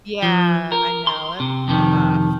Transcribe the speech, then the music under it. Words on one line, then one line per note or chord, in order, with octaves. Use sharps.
Yeah, I know, that's tough.
F3
A#4
C6
C3
F2 C3 D#3